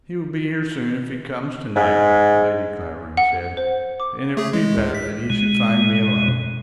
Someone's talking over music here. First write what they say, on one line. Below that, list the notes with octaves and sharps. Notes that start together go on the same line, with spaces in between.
"He will be here soon, if he comes to-night," Lady Clavering said, "and it will be better that he should find me alone."
G#2
F#5
C5
D6
A3 G#4
G#3
C#2
B6
B2 G#3